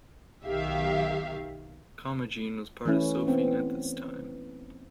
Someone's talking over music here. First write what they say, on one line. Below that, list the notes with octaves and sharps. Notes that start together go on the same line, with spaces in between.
Commagene was part of Sophene at this time.
B1 D#3 G4 E5 F5
E3 A3 C#4 E4
B3 C4